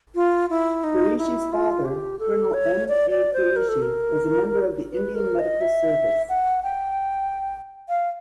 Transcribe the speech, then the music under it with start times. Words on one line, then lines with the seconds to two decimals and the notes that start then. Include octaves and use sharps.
Kureishi's father, Colonel M. A. Kureishi, was a member of the Indian Medical Service.
0.15 F4
0.50 E4
0.84 D#4
1.18 E4
1.52 F4
1.85 G4
2.19 A4
2.54 C#5
2.88 D5
3.10 D5
3.34 C5
3.56 A#4
3.69 A4
3.82 A#4
4.92 B4
5.15 A#4
5.39 D#5
5.61 E5
6.29 F#5
6.63 G5
7.89 F5